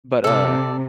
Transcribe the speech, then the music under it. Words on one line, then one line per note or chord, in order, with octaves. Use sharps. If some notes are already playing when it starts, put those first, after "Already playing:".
But, uh,
C3 A4 D5